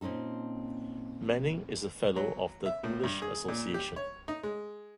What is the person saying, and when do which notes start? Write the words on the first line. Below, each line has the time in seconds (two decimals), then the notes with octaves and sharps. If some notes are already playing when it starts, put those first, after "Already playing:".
Manning is a Fellow of the English Association.
0.01 A#2 C4 C#4 D#4 A4
2.16 F#3
2.66 E5
2.84 A2
3.04 G2
3.22 G#4
3.48 A#2
3.74 G4
3.96 C#5
4.28 D#4
4.43 G#3